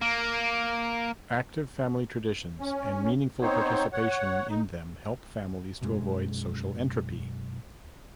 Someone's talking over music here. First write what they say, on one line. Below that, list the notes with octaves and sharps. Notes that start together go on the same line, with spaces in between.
Active family traditions and meaningful participation in them help families to avoid social entropy.
A#3
C#4
B3 C4 D#4 C5 C#5
C#5 F#5
D#4
B1 F#2 G#3